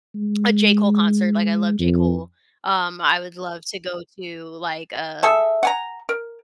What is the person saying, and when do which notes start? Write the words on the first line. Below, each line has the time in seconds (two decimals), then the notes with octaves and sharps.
a J. Cole concert, like, I love J. Cole, um, I would love to go to like a
0.15 G#3
1.79 F2
5.23 G#4 A4 E5
5.63 F#5 G#5 A#5
6.09 A#4